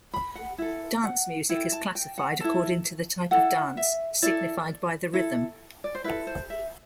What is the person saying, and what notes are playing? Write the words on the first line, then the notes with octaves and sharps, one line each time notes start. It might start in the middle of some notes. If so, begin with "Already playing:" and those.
Dance music is classified according to the type of dance signified by the rhythm.
B5
F#5
E4 A4
F#5
E4 A4 G5
A5
G5
F#5
E4 A4 A5
E4 A4 F#5
E5
E4 A4 D5
E4 A4
D5
C5
E4 A4 B4
C5
E5